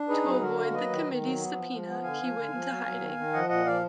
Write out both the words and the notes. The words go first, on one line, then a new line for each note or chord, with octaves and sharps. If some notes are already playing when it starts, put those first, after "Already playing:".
To avoid the committee's subpoena, he went into hiding.
Already playing: D4
D#4 G#4 B4
F#3 B4
D3 F#4 A#4
A#3
F#3 B4 D#5
D#3
D#3
F#3
B3
F3
F3
B3
D3 F5 G#5
F3
D3
F3
F#3
F#3
D#3
D#3
F3 D#5 F#5
A#2 D#5 F#5
F3 D5 F5